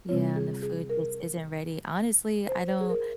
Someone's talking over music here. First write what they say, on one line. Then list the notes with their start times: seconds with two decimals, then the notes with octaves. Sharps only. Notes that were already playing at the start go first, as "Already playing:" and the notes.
Yeah, and the food just isn't ready. Honestly, I don't
0.09 C3 G3 C4 F4 C#5
0.36 G#4
0.63 G#4
0.90 A#4
2.49 C5
2.69 C5
2.81 G#4
2.89 A#4